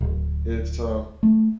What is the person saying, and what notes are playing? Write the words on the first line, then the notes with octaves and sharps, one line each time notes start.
it's, um,
D1
A3